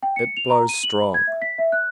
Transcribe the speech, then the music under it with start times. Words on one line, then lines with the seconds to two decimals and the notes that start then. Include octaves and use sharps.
It blows strong.
0.03 G5
0.16 C#7
0.37 F7
0.50 A#5
0.69 D#7
0.83 F#7
1.02 B5
1.14 G#6
1.27 E5
1.42 B6
1.58 E5
1.72 F#6